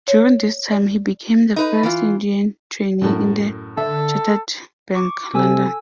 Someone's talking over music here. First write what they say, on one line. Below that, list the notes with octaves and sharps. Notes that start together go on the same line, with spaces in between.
During this time he became the first Indian trainee in the Chartered Bank, London.
C#5
D5
D#4 B4
E3 F4
F#2 A2
D3 A4 E5
C#6 D6
C3 A4 G#5 E6